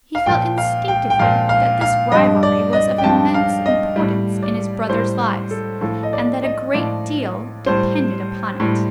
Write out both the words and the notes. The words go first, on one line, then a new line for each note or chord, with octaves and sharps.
He felt instinctively that this rivalry was of immense importance in his brothers' lives and that a great deal depended upon it.
F5
A#2 F3 G5
F5
G5
G5
A#2 F3 F5
F5
F5
G2 F3 D#5
D5
D#5
G5
G2 F3 A5
F5
D#5
A2 G3
D5
A2 G3 C5
A4
A2 F3 A4
D#5
D5
D#5
A2 F3 D5
A2 G3 C5
A2 G3